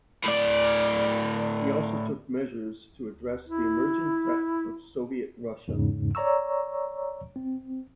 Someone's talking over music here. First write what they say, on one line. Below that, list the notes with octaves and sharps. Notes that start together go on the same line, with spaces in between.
He also took measures to address the emerging threat of Soviet Russia.
A2 D5
E4
E2 G#2 C#3
C#5 D5 A#5 C#6 E6
C4